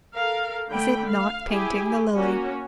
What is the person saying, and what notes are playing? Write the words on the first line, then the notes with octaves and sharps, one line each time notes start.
Is it not painting the lily?
A4 A#4 F5
D3 A3 G5 B5
F5
E4 G4 G#4 G#5
A#3 C#4 F#4